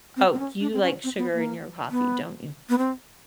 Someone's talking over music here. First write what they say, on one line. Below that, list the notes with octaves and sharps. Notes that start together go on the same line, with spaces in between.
Oh, you like sugar in your coffee, don't you?
C4
C4
C#4
D4
C4
C#4
C4
B3
A#3
B3
B3
C4